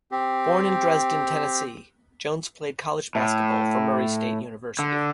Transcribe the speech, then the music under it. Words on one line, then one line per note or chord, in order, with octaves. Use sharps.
Born in Dresden, Tennessee, Jones played college basketball for Murray State University.
C4 G4
A2
D3